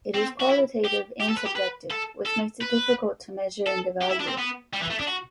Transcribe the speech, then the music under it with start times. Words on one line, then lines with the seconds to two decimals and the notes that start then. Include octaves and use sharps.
It is qualitative and subjective which makes it difficult to measure and evaluate.
0.14 C4
0.40 F#4
0.50 E4
0.84 G4
1.20 G4
1.29 A4
1.37 B4
1.46 G4
1.56 B4
1.91 A4
2.26 A4
2.61 B4
3.67 A4
4.02 G4
4.11 E4
4.20 D4
4.28 C4
4.38 B3
4.73 G3
4.81 E3
4.90 A3
4.99 D4
5.07 F#4